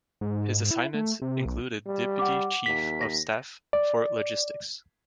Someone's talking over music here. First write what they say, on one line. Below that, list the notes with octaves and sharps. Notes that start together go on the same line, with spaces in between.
His assignments included Deputy Chief of Staff for Logistics.
G#2
G#2
E4
A3
C3
B1
G3
F#5 D6
D#2 B6
A#6
D5